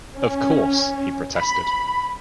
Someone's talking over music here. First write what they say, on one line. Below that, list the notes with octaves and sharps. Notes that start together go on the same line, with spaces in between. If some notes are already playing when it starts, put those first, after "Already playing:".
"Of course," he protested.
C#4
B5